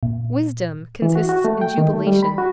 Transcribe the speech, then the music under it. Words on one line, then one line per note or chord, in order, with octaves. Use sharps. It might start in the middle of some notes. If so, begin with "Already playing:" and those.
Wisdom consists in jubilation.
A#2
E3
F#4
F#4
A3
G5
D#3
A3
G3
B5
F#4